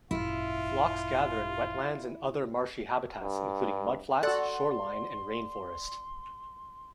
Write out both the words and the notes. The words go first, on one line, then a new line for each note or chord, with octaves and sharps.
Flocks gather in wetlands and other marshy habitats, including mud flats, shoreline and rainforest.
G#1 F#2 A#2 E4 F4
G2
F#4 A4 D5 F#5 C6 F#6